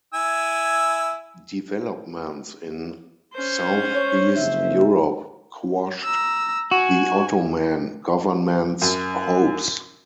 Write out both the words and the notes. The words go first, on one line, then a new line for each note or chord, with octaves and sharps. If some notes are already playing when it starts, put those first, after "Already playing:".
Developments in Southeast Europe quashed the Ottoman government's hopes.
E4 G#5 E6
C#4 C5
C#5
F#1 F2 E5
A#5 E6
F#4 G#5
F#2